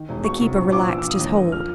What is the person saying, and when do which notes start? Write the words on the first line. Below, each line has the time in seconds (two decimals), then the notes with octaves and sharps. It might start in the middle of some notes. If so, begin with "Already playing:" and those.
The keeper relaxed his hold.
Already playing: D#3
0.09 E1
0.24 B2 C#6
0.40 C2
0.56 A#1 C#6
0.72 A#1 D6
0.88 E3 E6
0.98 E6
1.04 G2
1.10 D#6
1.20 D#2
1.37 D#2
1.52 F3 F6